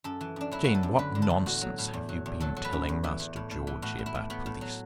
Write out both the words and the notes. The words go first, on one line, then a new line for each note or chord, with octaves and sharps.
"Jane, what nonsense have you been telling Master Georgie about policemen?"
F#2 A4
E3
F#2 D4
F#3 E4
F#3 F#4
A4
F#2
D3 B4
D3
A4
E2
A2 F#4
F#3
A2
E2
F#3
E2
F#3 A4
F#3
B4
F#2
E2
E3
E2
A2
A2
E3
A2 F#4
A2
E4
A2
A2 B3
A2
F#3